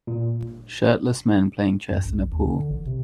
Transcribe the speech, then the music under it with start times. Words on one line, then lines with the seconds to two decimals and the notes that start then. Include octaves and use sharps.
Shirtless men playing chess in a pool.
0.07 A#2
1.91 F#2
2.05 A#1
2.18 A1
2.32 D#2
2.48 D3
2.70 A1
2.86 C3